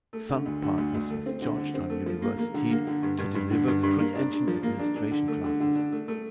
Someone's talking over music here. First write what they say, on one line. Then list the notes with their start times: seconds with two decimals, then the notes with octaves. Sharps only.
Sun partners with Georgetown University to deliver Grid Engine administration classes.
0.13 A3
0.30 D3
0.46 D2
0.62 D3
0.78 D2
0.94 D2
1.10 A3
1.26 C4
1.42 D3
1.58 D3
1.74 C4
1.90 A3
2.06 F3
2.22 A#3
2.38 A#3
2.54 D3
2.71 A#3
2.87 D3
3.03 G2
3.19 G2
3.35 G2
3.51 D3
3.68 G2
3.83 G2
3.99 A#3
4.15 D4
4.32 D4
4.48 F3
4.63 A#3
4.79 D4
4.96 D4
5.11 D3
5.28 A3
5.44 D3
5.60 D3
5.75 D4
5.92 A3
6.08 A3